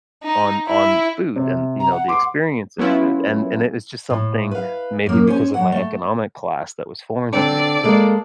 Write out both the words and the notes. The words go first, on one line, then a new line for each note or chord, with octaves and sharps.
on on food and, you know, the experience of food, and and it it's just something- maybe because of my economic class- that was foreign to me.
D#4
E4
C3
A#5
F#5
C6 D6
F#3 B3 C#4 E4 F4
A2
B4 F5
F#2 A#3
C#4 C5 G#5
F#3 F#5
A3
D3 C4 D4 D5
G#3 A#3 A4